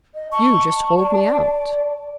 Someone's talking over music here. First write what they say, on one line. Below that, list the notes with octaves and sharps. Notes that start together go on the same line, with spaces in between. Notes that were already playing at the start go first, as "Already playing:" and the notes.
"You just hauled me out."
D#5
A5 C#6
D5